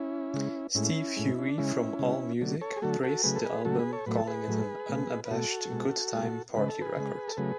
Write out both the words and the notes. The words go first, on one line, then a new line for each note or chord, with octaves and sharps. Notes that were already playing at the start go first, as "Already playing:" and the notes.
Steve Huey from Allmusic praised the album, calling it "an unabashed good-time party record".
Already playing: C#4 E4
C#3 G#3
A2 G#3 C#4 E4
A2 G#3
C#4
D4
C#3 G#3 C#4 E4
C#3 G#3
D3 F#3 A3
A4 C#5
G#4
D3 F#3 A3 F#4 A4
F#4 A4
C#3 F#3 A3 G#4 B4
A4
G#4 B4
C#3 F#3 A3 F#4 A4
G#4 B4
A4 C#5
A2 F#3 A3 B4
A4
G#4 B4
A2 F#3 A3
B2 A3
B4
B2 A3 F#4 A4
B2 G#3
B2 G#3
C#3 G#3 B4
A4
G#4 B4
C#3 G#3
A4
C#3 F#3 A3 G#4 B4